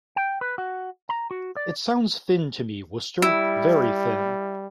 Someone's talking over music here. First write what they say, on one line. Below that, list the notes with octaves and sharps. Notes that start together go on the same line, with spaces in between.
It sounds thin to me, Wooster, very thin.
G5
B4
F#4
A#5
F#4
D5
G3 E4